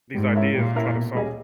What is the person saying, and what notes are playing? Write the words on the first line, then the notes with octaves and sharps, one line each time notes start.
these ideas and try to solve
G#2 G3
C#4 E4 A#4 E5
A#2 G3
C#4 E4 A#4 E5
B2
G3 C#4 G#4 D#5